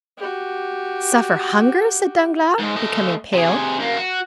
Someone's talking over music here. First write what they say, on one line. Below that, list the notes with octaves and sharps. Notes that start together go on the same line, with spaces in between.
"Suffer hunger?" said Danglars, becoming pale.
F#4 G4
G#2 G#3
A3 D#5
C3 G#4
F#2 A#3
F#4